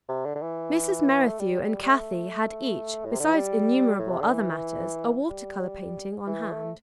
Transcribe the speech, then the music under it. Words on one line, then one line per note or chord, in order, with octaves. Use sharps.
Mrs. Merrithew and Kathie had each, besides innumerable other matters, a water-colour painting on hand.
C3
D3
D3
E3
A3
G3
G3
G3
A3
A2
C3
D3
E3
G3
A2
C3
D3
E3
G3
E3
A3